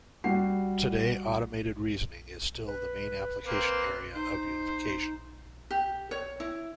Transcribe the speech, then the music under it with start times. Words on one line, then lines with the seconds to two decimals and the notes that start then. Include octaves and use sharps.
Today, automated reasoning is still the main application area of unification.
0.24 G3 F#4 C7
2.66 B4
3.45 A#3 C4 B4
4.14 D#4 C5
5.71 G4
6.11 C#5
6.40 E4